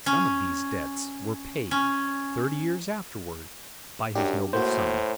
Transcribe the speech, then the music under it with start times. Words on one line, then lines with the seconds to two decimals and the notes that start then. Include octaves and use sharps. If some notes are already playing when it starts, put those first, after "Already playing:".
Some of these debts were paid, thirty years afterward, by his noble son.
0.06 C#4
1.71 C#4
4.15 F#2 D4 G4
4.53 A2 A#3 F#4 C5